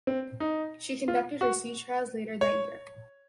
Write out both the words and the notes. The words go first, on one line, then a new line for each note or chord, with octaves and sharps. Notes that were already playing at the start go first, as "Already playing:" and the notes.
She conducted her sea trials later that year.
C4
D#4
F4
F#4
C#5